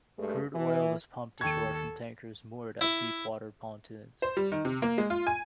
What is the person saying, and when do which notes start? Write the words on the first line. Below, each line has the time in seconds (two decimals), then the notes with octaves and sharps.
Crude oil was pumped ashore from tankers moored at deep-water pontoons.
0.19 G2 G#3 A3
0.55 E3
1.41 D#2 A4 G5 C#6 G#6
2.81 E4
4.22 C5
4.37 G3
4.52 D#3
4.65 C3
4.82 A#3
4.98 G#3
5.10 F4
5.27 G#5